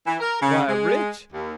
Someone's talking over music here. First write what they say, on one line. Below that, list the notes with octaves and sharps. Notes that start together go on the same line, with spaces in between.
Why, rich?
E3
A#4
C#3
G#3
D#2